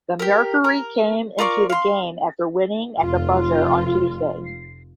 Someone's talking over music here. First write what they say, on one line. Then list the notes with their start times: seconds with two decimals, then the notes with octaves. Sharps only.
The Mercury came into the game after winning at the buzzer on Tuesday.
0.19 G4 A#4
0.64 A#4
1.38 F4 A#4 D5 C#6
1.70 F5 C6
3.01 F1 F4